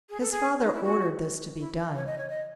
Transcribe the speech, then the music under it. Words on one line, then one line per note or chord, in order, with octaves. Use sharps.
His father ordered this to be done.
G#4
A4
G#4
D#4
E4
F#4
E4
C#5
D#5
C#5
D#5